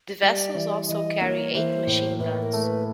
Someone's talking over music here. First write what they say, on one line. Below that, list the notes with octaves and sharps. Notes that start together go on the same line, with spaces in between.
The vessels also carry eight machine guns.
G3 D5
E3
E3 D#5
A#3 C#5
E3 C5
A2
A2 B4
A#4
A3
B4